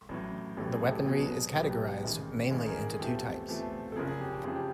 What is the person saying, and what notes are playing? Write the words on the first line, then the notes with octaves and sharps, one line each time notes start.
The weaponry is categorized mainly into two types.
A1 A2 F#3
A1 A2 F#3 G4 A4
G#4
G4 A4
B1 B2 F#3 B3 G#4
B1 B2 F#3 B3 G4
G4
A1 G#2 D#3
A1 G#2 D#3 G#4
G#4 A#4
G#4
E2 C3 F3 A3 C4 G4 A4
E2 C3 F3 A3 C4
A4
F#1 F2 C#3 F3 G#4 A#4
G#4
G4
G4
F#1 F2 C#3 F3 G#4
G4